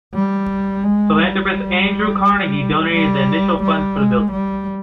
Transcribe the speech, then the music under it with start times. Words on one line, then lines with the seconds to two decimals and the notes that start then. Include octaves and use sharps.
Philanthropist Andrew Carnegie donated the initial funds for the building.
0.14 G3
0.84 G#3
1.19 G3
2.93 G3
3.62 G3
3.97 G#3
4.31 G3